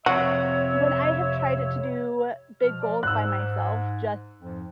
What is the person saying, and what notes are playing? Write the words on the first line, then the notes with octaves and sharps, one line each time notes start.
when I have tried it to do big goals by myself, just
F2 C3 F#4 C#5 E5
B2 F3 F6
F3 D5
G#2 E6 F#6
F2 G#2 F3